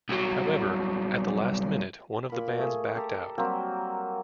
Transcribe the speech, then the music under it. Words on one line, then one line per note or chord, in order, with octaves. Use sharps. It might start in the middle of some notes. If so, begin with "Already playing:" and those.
However, at the last minute, one of the bands backed out.
C2 F#3
A#2 B5
A3 G#4
G4 A4 A#5
F#3 G3 A#3 C4